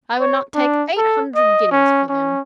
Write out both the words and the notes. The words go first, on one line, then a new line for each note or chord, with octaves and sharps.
I would not take eight hundred guineas for them.
C#5
D4
A4
D#5
C#4
C#4